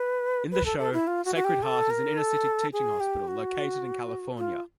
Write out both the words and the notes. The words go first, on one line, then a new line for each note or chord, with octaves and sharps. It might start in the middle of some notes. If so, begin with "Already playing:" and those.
In the show, Sacred Heart is an inner-city teaching hospital located in California.
Already playing: B4
B4
A4
A4
E4
F4
F#4
F#4
G4
A4
A#4
A4
G#4
G4
F#4
F4